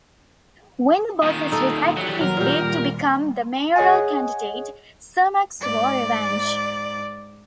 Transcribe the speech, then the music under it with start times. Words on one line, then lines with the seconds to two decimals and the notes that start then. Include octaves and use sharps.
When the bosses rejected his bid to become the mayoral candidate, Cermak swore revenge.
1.22 A#2 D#3
1.52 D#4 A4
1.97 F#3 G3
2.21 F#3 A#4
2.37 A#2 G4
3.76 G#4 C#5 D#5 F#5 G#5
5.61 G#2 D5